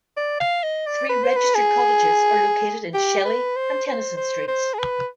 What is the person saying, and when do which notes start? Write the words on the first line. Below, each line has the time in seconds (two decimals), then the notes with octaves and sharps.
Three registered cottages are located in Shelley and Tennyson Streets.
0.17 D5
0.40 F5
0.63 D#5
0.87 D5
1.09 B4
1.23 C5
1.36 B4
1.55 G#4
2.94 G4
3.25 B4
3.56 C5
3.87 C5
4.17 C5
4.48 C5
4.74 G#4
4.79 B4